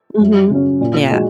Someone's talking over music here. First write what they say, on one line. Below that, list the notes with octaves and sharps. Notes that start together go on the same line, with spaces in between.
Mhm. Yeah.
F#2
C#3 F#3 C#4
A#2
G#3 D#4 F#4